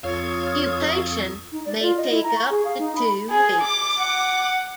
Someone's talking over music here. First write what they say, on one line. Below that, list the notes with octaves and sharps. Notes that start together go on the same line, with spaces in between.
Pupation may take up to two weeks.
F2 F4 A4 C#5 F5 C#6 D#6 G#6
D#4
D5
F4
D#5
E4
A#5
C#6
G#4
F5
D#4
B5
G#4
D6
F#5